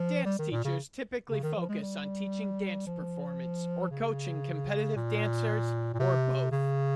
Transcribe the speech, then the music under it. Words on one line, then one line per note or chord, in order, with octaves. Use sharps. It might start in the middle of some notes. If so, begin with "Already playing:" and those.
Dance teachers typically focus on teaching dance performance, or coaching competitive dancers, or both.
Already playing: F3
G3
D#3
A#2
C#3
C#3
D#3
F3
G#3
G3
F3
C#3
A#2
A#2
C3
C#3